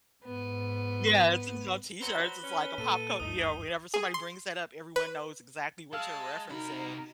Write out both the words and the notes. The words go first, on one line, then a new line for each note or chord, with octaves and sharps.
Yeah, it's in some T-shirts. It's like a pop cul you know, whenever somebody brings that up, everyone knows exactly what you're referencing.
G#2 B3
F#3 C4 F#4 B4 G7
C#4
A#2 A4 D#7
G#1 D2 G2 A3 D#4 D#6
G#4
C6
B4
G#3 F5 A5 E6 F6
C3 D#4 F#4 A#4 B5